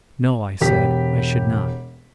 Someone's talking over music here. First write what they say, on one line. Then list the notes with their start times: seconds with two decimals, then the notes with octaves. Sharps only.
No, I said, I should not.
0.61 E1 G4 B6